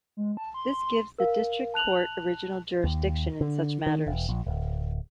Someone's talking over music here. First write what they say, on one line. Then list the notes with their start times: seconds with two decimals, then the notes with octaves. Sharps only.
This gives the District Court original jurisdiction in such matters.
0.17 G#3
0.37 A5
0.54 C6
1.19 A#4 F5
1.74 A5 F#6 F7 F#7
2.84 D#2
3.41 D3
3.87 D#3
4.07 E1
4.29 A#1
4.47 D1